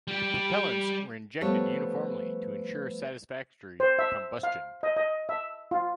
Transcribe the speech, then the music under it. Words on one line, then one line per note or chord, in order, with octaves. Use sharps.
The propellants were injected uniformly to ensure satisfactory combustion.
G3 G4
F3 G3 A3 B3 G#4 C#5
C5
E5
F5
D#5
D#5
E5
F4